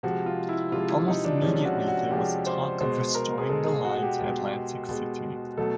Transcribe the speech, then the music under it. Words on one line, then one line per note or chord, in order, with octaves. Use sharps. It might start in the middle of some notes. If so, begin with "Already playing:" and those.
Almost immediately, there was talk of restoring the line to Atlantic City.
C3 F3 G#3 F#4
F4
E4
C3 F3 G#3 F4
E4
D#4
D4
C3 F3 G#3 C#4
F#4
F#4
C3 F3 G#3 G4
C5
B2 G#3 C5
A#4
G#4
B2 G#3 A4
G#4
F#4
F#4
G4
B2 G#3
B2 G#3
B2 F#3 A3 A4